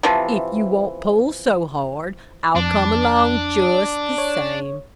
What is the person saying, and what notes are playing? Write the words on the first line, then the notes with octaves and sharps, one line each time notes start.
If you won't pull so hard I'll come along just the same.
C3 E3 F3
F2 D4
C#5